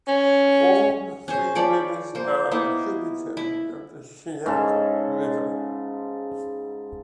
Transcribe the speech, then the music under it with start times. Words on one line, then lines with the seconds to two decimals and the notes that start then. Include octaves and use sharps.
All the three rivers are tributary of the Shyok River.
0.08 C#4
1.28 C#4 G#4 C5
1.55 F3 C#5 D5 B5
2.15 A#3 C5
2.51 A#3 B3 D#4 E4
3.37 E4
4.46 G#2 C#3 A4